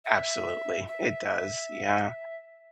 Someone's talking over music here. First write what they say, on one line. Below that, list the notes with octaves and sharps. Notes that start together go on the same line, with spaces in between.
Absolutely, it does, yeah.
E5
E5